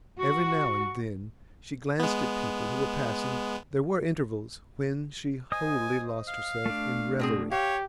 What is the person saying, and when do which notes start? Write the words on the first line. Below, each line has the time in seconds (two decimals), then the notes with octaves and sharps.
Every now and then she glanced at people who were passing; there were intervals when she wholly lost herself in reverie.
0.20 F#4 C#6
1.99 G#3 B3
5.52 C5 D#5 G#5 D#6
6.28 F5
6.66 A3 D4
7.19 B2 C4 G#4
7.51 G4 C#5 F5